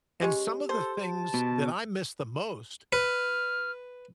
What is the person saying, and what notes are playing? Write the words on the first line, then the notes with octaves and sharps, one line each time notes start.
and some of the things that I miss the most,
G#3 C#4 G4
A4 C5
A5
B2
B4 F6